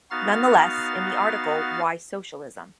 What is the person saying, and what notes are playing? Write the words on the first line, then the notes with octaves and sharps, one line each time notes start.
Nonetheless, in the article Why Socialism?
B3 D#4 F#4 F5 F6 A6